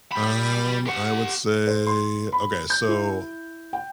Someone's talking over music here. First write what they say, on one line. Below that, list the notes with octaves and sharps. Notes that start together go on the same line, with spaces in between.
Um, I would say, okay, so,
G3 B5
G4 F#5
C5
C6
B5
G6
E4
G5